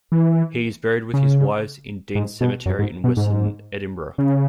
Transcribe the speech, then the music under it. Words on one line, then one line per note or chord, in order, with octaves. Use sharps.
He is buried with his wives in Dean Cemetery in western Edinburgh.
E3
C#3
G#2
B2
F#2
G#2
B2
G#2
C#3